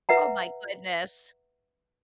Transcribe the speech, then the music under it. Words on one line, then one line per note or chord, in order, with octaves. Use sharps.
Oh my goodness.
B4 E5 F#5 A#5